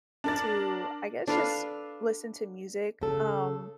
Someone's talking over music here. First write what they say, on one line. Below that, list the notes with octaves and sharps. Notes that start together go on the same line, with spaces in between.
to, I guess, just listen to music, um,
D4 A#4 A6
D4 A4 B4 F5
C#3 A4